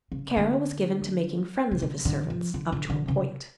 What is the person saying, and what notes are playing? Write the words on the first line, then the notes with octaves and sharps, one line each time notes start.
Kara was given to making friends of his servants--up to a point.
C#3
D3
C#3
D3
D3
F3
D3
D3
D3
C#3